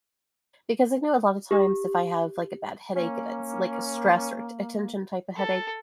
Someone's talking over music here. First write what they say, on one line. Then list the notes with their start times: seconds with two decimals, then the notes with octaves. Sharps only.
Because I know a lotta times if I have, like, a bad headache, and it's, like, a stress or a t a tension type of headache,
1.51 G4
2.96 A#3 C#4
5.36 A4